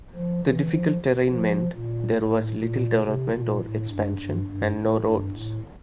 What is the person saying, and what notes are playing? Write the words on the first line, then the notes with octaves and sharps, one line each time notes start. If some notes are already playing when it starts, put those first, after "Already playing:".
The difficult terrain meant there was little development or expansion, and no roads.
F3
E3
F3
F3
A#2
A2
A#2
C3
A#2
A2
G2
G2
G2
A2
G2
A2